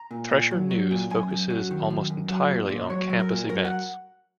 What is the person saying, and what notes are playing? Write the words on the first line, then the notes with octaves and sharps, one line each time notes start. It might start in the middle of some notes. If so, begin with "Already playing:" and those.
"Thresher" News focuses almost entirely on campus events.
Already playing: A#5
A#2
A#2
F#3
F#3
A#2
F#2 G#5
F#2
F#3
D#3
F#2
F#2
F#3
A#2
A#2
F#3 C#5
F#3
A#4
A#2
F#3 A#4
F#5